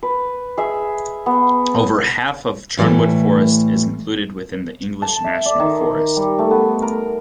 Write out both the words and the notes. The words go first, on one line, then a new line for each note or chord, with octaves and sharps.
Over half of Charnwood Forest is included within the English National Forest.
B4
G#4 E5
B3
A2 E3 F3 G3 A3
A5
E5
D5
D#3
G3
A3
B3
A#4